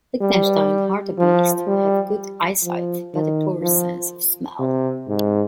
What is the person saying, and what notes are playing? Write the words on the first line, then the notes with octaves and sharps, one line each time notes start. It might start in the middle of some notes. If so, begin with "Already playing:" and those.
Lichtenstein's hartebeest have good eyesight but a poor sense of smell.
G3
F3
G3
F3
D#3
F3
C3
G#2